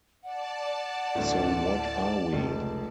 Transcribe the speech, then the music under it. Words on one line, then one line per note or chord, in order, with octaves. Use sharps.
So what are we?
D5 F#5 A5
A1 D2
F1 C#2